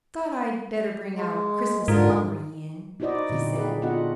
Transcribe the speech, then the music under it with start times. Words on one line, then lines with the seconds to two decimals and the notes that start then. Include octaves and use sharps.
"Thought I'd better bring our Christmas flummery in," he said.
1.14 G#3
1.88 G#2 D3 F4 A#4
3.00 D#4 E4 F#4 C5 D5 D#5
3.30 A#2 D3 C4
3.56 G#4 B4
3.82 B3 D4 F4 F#4 D#5 F#5